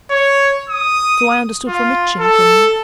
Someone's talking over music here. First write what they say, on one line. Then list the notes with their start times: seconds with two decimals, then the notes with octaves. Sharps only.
"So I understood from Mitchington."
0.11 C#5
0.70 D#6
1.68 F4
2.19 A4